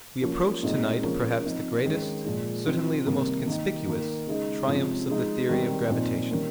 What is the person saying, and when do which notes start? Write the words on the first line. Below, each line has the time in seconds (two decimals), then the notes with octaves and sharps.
We approach to-night perhaps the greatest, certainly the most conspicuous, triumphs of the theory of gravitation.
0.22 F3 A#3 C#4
0.63 A#2 G#3 C4 D#4
1.03 C#3 F3 A#3 C#4
1.43 F3 C4 D#4
1.85 D#3 G#3 C#4
2.25 A#2 F3 G#3
2.66 F3 C4 D#4
3.06 C3 D#3 G3 A#3
3.46 D#3 A#3 D#4
3.87 D#3 A#3 D#4
4.27 C#3 G#3 D#4
4.68 C3 F3 G#3 C#4
5.08 F3 G#3 D#4
5.49 D#3 G3 C4
5.90 A#2 F3 C4 D#4
6.31 D#3 G3 A#3 C#4